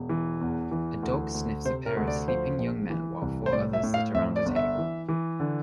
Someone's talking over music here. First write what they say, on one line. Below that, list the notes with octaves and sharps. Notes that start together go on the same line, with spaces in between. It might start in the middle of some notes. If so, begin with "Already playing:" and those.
A dog sniffs a pair of sleeping young men while four others sit around a table.
Already playing: E1
E3
E2
E3
D2
D2
C3 C5
A#4
D2
D5
F3 C5
A#1
E3
C2
C5
A2 D5
E5
A2
F5
F2 E5
D5
G1
E5
E3
E3
D3